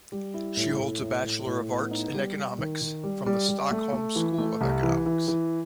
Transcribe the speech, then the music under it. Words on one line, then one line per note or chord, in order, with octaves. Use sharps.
She holds a Bachelor of Arts in economics from the Stockholm School of Economics.
G3
E4
A2
A2
A2
A2
A2
B3
D#4
G3
G3
D#3
D#3
G3
G3
G3
A3
A3
E3
A3
C2
E3
E3
E3